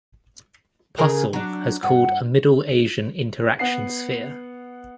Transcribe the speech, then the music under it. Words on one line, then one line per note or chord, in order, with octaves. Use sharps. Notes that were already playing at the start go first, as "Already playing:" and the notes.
Possehl has called a "Middle Asian Interaction Sphere".
C#3 G#4 A#4
F#3 D4
G2 F#5
B3 F#5 C7